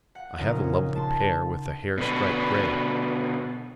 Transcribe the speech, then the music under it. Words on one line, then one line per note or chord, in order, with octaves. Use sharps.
I have a lovely pair with a hair stripe, grey.
F#5
A#1 C#3 C#4 D#4
A5 C6
B2 D3 B4